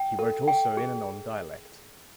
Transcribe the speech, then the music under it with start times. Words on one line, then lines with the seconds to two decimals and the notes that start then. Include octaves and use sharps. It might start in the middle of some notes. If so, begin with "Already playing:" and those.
He wrote also in and on dialect.
Already playing: G5
0.19 A4
0.48 G5
0.77 G#4